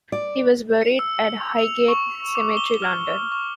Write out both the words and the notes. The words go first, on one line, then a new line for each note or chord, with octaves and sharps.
He was buried at Highgate Cemetery, London.
D5
C#7
E6
C#7
F7
C#6
D6
G7
F6
C#6